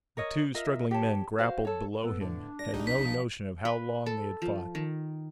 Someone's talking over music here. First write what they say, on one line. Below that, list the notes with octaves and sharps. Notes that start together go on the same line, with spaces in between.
The two struggling men grappled below him had no notion of how long they had fought.
A#4 C#5 D#5
F4 A#4 D#5 E5
G4 C#5 A5
F#4 C5 F5
A4 C#5
B3 A4
A2 D3 D4
D5 A#6
B1 D#4 G4 G#4
C5 B6
F3
B4
A4
F3
D#3